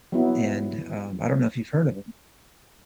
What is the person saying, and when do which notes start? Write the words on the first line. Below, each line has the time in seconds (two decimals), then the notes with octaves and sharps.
and, um I don't know if you've heard of him.
0.12 F#3 B3 E4